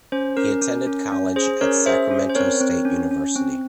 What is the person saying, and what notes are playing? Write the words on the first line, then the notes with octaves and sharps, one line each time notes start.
He attended college at Sacramento State University.
C#4 C5
C#4 A#4
C#4
C#4
C#4
G#4 C5
C#4 A#4 C#5
G#4 C5 E5
C#4
C5
C4 A#4 C#5
C4
C#4
C#4
C4